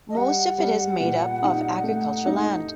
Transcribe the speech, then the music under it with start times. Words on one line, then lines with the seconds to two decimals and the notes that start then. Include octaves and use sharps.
Most of it is made up of agricultural land.
0.10 D#5
0.17 G3 F#5
0.58 G3
1.00 A#2
1.42 D#4
1.84 A3
2.26 D#4